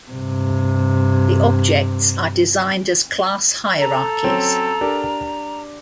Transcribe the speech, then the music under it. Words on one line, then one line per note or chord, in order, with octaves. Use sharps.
The objects are designed as class hierarchies.
G2 C3
A4 A#5
F#3 C4 C#4
D4 G4 A#4